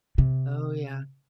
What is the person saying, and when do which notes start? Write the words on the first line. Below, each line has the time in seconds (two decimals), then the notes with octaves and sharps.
Oh, yeah.
0.18 C3